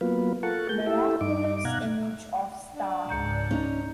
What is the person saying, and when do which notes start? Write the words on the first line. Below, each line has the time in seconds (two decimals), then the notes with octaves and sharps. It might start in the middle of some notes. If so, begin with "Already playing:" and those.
Miraculous Image of Sta.
0.01 F#3 A#3 B3 F4 B4
0.43 F4 A4 A#4 F#5 A5 C#6
0.69 A#3 G#4 A#4 G6
0.86 E4 G4 A4 E5
1.21 G2 D#4 D6
1.65 B2 F5 F#5 A#5 F#6 G#6
2.73 D4
3.09 C#2 G#2 A#5 G6 C#7
3.51 C#4 D#4